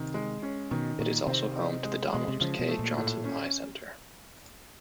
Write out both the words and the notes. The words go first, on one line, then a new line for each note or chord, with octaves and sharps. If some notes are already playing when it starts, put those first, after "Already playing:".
It is also home to the Donald K. Johnson Eye Centre.
Already playing: C3 D#3
G#3
C#4
B2 D#3
A#2 D#3
C3 C4
D#4
G#3
B2 G#3
C3
C#3 F3
B2
A3
A#2
A2
C#4